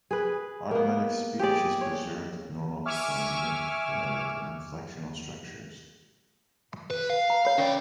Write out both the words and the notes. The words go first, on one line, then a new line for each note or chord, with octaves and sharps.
Automatic speech is preserved with normal phonemic, phonetic and inflectional structures.
G#4 B4
A#3 B3
G4 G#4 D5
C#5
E5 G#5 C#6 D6 E6 F6
B4
F5
A#5
C#5 F5 B5
D#3 C#4 D5